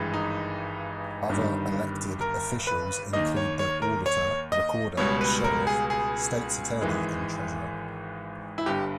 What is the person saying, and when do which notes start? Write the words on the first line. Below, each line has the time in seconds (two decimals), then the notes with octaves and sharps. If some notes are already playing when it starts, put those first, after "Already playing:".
Other elected officials include the auditor, recorder, sheriff, state's attorney, and treasurer.
Already playing: G#1 G2 E3 G#3
0.14 D#4
1.29 G1 G2 D#3 G3
2.21 A#4
2.67 B4
3.13 D#2 D#3 A#3 D#5
3.36 C#5
3.59 C#5
3.82 A#4
4.06 C#5
4.52 D#5
4.97 C#2 B2 G3 C#5
5.21 B4
5.44 A#4
5.67 G#4
5.90 G#4
6.81 G#1 G#2 E3 G#3
8.58 E4
8.66 G1 G2 G3 G4